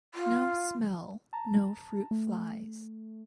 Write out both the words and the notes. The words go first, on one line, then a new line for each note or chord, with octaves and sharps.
No smell, no fruit flies!
F4
A5 A#5
A3